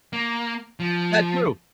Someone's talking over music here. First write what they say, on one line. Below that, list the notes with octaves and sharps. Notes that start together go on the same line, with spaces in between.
That too,
A#3
F3